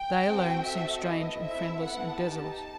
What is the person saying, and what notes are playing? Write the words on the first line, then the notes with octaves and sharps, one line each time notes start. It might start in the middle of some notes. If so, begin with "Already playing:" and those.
They alone seemed strange and friendless, and desolate.
Already playing: G5
C4 F#4 A4
C4 F#4 A4 E5
B3 E4 A4 D#5
C4 E4 A4 E5
B3 E4 A4 F#5
D#4 G4 A5